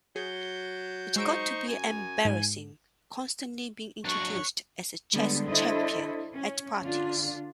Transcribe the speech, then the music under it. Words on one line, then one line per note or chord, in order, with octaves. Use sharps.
It got to be embarrassing, constantly being introduced as a chess champion at parties.
F#3 G#4 G6
G#3 D#4 C5 C#6 E6 D7
F#2 G#5
G#2
F#3 D4 C#5 C#6 F#6
D3 G3 G#3 B3
D4 E4 A4 C5 D#5
C#4
D3 D4 F4